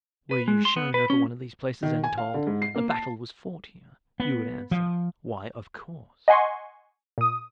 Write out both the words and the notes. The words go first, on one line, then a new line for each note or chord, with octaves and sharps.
Were you shown over one of these places, and told, "A battle was fought here," you would answer, "Why, of course!"
B4
G#3
C6
B3
B4
C#4
D#3
G#5
F5
D3
G#2
C7
A#3
A5
B3
F3
D#5 F#5 G#5 C6 C#6
A#2 D#6